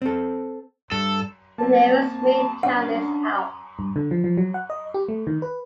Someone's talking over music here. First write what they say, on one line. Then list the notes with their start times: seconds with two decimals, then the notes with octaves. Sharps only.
The nearest main town is Alp.
0.02 C4 A4
0.92 G2 A4
1.58 A#3 C4 A5
2.63 C#4 D4 F#5 C6
3.79 G2
3.96 D3
4.11 F3
4.24 F3
4.37 F#3
4.54 F#5
4.70 D#5
4.94 G4
5.08 A3
5.27 D#3
5.42 B4